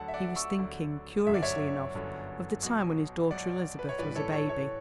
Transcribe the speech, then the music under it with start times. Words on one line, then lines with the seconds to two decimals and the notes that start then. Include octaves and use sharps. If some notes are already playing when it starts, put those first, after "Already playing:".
He was thinking, curiously enough, of the time when his daughter Elizabeth was a baby.
Already playing: D2 D3 F#3 F#5 A5
0.08 E5
0.14 D5 F#5
0.36 C#6 E6
0.58 D2 D3 F#3
1.27 G1 F#2 D3 E5
1.34 D5
1.43 C#5 E5
1.95 G1 F#2 D3
2.63 B1 B2 F#3
3.31 B1 B2 F#3 D5 F#5
3.79 B4
3.89 C#5
3.99 A1 G2 E3 B4 D5
4.15 A4 C#5
4.32 A4 C#5
4.49 A4 C#5